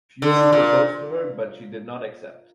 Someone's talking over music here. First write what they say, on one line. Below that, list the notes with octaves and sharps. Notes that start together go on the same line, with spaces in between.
Fury proposed to her, but she did not accept.
D3
A#2